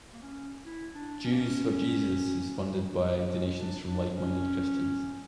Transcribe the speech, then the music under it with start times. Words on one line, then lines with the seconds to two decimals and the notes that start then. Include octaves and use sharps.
Jews for Jesus is funded by donations from like-minded Christians.
0.14 A#3
0.22 C#4
0.65 E4
0.94 D4
1.24 C#4
1.32 A#3
1.40 C#4
3.15 A#3
3.28 C#4
3.57 D4
3.87 D4
4.15 C#4